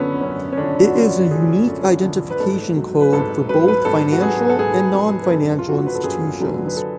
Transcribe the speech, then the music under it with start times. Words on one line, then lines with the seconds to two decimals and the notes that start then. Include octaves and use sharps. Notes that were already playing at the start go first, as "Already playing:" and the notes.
It is a unique identification code for both financial and non-financial institutions.
Already playing: F#2 D3 F3 B3 C#4
0.21 F#2 C#4
0.52 C#4
0.58 D3 F3 D4
0.84 F#4
0.94 F#2 F4
1.31 D3 F3 G#4
1.67 F#2 A4
2.04 D3 F3
2.30 B4
2.40 G#2 A4
2.77 F#3
3.01 B4
3.12 G#2 A4
3.49 F#3 B4
3.68 B4
3.85 G#2 A4
4.12 F#4
4.22 F#3 G#4
4.50 A4
4.59 G#2 G#4
4.95 F#3
5.23 B4
5.31 F#2 A4
5.59 F4
5.67 D3 F#3 F#4
5.87 B4
5.95 A4
6.04 F#2 G#4
6.40 D3 F#3
6.68 B4
6.77 A4